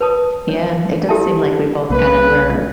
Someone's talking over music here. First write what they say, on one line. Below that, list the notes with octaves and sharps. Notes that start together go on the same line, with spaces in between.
Yeah. It does seem like we both kinda were
B4 C#5 A5 D#6
C#5
E4 G4 A4 E5 G#5 A5
C2 A#3 B4